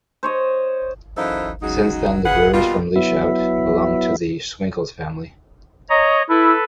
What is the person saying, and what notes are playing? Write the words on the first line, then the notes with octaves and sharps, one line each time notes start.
Since then the brewers from Lieshout belong to the Swinkels family.
C5 C#5 D#5
F#2 E3 D#4 A4 C5 F5
C#3 F#3 G#3 D#4
F#2 C#3 G#4 B4 F#5
B2 G3 A#3 F4
F#3 B3 E4 E5
C#5 D#5 A#5
E4 A4 B4